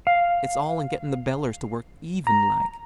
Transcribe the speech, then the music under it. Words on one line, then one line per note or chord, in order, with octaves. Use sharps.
It's all in gettin' the bellers to work even like.
F5
A#5